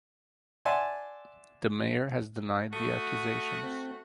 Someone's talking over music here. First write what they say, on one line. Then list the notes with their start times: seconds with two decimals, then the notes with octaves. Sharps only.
The mayor has denied the accusations.
0.65 D5 E5 F#5 G#5 A5 C6
2.73 A3 F#4 C#6 D#6
3.63 C4